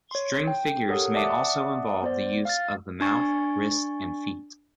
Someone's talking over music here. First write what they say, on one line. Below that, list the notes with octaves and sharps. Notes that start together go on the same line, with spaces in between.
String figures may also involve the use of the mouth, wrist, and feet.
C#5 C6
G5
G4 A4 A#4 C#5 F#5 D#6
D5 E5 F#5 A5 D6 D#6
B3 C5 D5
F5 F6 A6
D4 G#5 C#6 A6